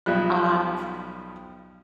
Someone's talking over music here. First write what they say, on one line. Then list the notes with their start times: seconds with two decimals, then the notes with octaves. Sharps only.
Um, f
0.06 B1 F3 G3 F#6